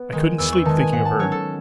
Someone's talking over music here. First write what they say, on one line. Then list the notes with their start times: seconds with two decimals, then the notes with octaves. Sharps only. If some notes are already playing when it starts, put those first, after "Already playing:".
I couldn't sleep thinking of her.
Already playing: B3
0.13 D#3 G#3
0.38 E2 E6
0.52 C#6
0.65 D#3 G#3 A5
0.79 G#5
0.92 G#2 F#5
1.05 A5
1.19 F#3 C#4 C#5
1.32 A4